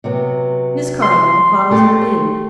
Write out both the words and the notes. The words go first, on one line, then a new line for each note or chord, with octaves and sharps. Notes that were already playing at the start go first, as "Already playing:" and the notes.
Miss Carlyle followed her in.
C3 F#3 B3
C6
A3 G4 A4